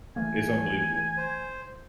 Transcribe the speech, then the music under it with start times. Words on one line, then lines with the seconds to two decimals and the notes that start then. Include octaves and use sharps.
it's unbelievable,
0.16 E3 A3 A#3 G#5
1.17 C5